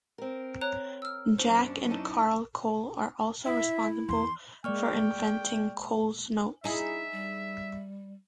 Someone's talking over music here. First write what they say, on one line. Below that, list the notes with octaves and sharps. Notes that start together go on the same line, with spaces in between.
Jack and Carl Cole are also responsible for inventing Coles Notes.
C4 A#4
C#5 A#5 F#6
E6 F6
F#2 C#4 D4 C5
D#4 E4 A5
E4 E5
E2 C6
G#3 A#3 D5 G5 C#6 F6
D#4 E4 G#4 E5
G3